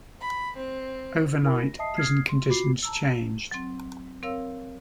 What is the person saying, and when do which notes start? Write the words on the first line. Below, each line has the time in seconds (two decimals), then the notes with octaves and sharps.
Overnight prison conditions changed.
0.20 B5
0.56 C4
1.43 E4 A#4 G#5 B5
1.58 A#6
1.79 D#5 E5 A5 D#6 C7
1.97 D#6 F6 G#6 C7
2.29 C6
2.47 F4 F#4 B5 D6 C7
2.83 A5 A#5 E6
3.51 F#3 C4
4.23 C4 A#4 C#5 F5 E6